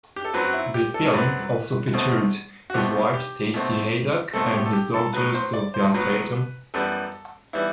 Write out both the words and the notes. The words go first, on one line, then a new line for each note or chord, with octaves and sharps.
This film also featured his wife, Stacy Haiduk, and his daughter, Sophia Tatum.
G4
A4
F#2 F#3 C4 B4
F#4
E4
G4
A4
F#2 F#3 C4 B4
B2 A3 C4
F#4
B2 A3 C4 G4
G4
B2 A3 C4
B2 A3 C4 A4
G4
A4
G4
A4
A2 F#3 B3 B4
C5
D5
C5
A2 F#3 B3 B4
F#2 E3 G3 B3 A4
E3 G3 B3 E4